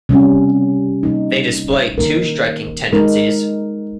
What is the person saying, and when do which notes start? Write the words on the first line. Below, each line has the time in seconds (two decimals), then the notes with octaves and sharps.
They display two striking tendencies.
0.09 C3 G3 C#4
1.03 C3 G3 A#3 D#4
1.98 D#3 A#3 D#4 A#4
2.93 G#3 D#4 A#4